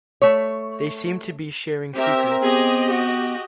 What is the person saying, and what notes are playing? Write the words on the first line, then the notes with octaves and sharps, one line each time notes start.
They seem to be sharing secrets.
A3 C#5
C4 G4 A#4 E5
B3 G4 G#4 D#5
F#4